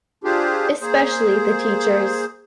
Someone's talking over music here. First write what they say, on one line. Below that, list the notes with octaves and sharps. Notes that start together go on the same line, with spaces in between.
Especially the teachers.
D4 F4 G4 G#4 C5
A#3 G#4 C5